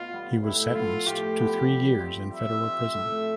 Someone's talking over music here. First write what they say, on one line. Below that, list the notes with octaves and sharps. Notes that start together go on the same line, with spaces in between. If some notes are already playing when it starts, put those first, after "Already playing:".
He was sentenced to three years in federal prison.
Already playing: B2 F4
G3 B3
A2 E4
F3 B3 F4
A2 G4
F3 B3
G3
C4 F4 C5
G3 E5
C4 F4 C5
A2